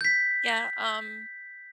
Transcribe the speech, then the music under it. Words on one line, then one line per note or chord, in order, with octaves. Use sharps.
Yeah, um
G6 B6